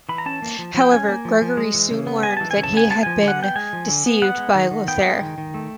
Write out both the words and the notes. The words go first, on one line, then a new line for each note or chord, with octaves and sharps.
However, Gregory soon learned that he had been deceived by Lothair.
E3 B5
A#5
C#4 A5
A#3
F3
F3
G5
C#4 G#5
A#3
F3
F3
G#3
E3
C#3
B3
G#3 G#5
E3 A5
G#5
C#3
A5
B3 G#5
G#3 A5
F3 G#5
D3
F#5
B3 G5
G#3 G#5
F3
D3
B3
B3 F#5
G#3
D#3
D#3
B3 G5
G#3
D#3
D#3
A3